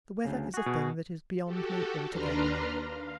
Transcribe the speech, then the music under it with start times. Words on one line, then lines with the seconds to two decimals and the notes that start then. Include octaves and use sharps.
The weather is a thing that is beyond me altogether.
0.25 D2 C#3
0.54 F#4 G#4
0.66 B2
1.45 F#4 G4 A4
2.06 D#2 D4 B4 A#5 C6 F6
2.88 F5